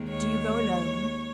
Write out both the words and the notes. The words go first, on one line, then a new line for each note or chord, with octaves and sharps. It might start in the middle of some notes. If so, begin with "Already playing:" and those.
"Do you go alone?"
Already playing: D#2 D#3 G#3
C#5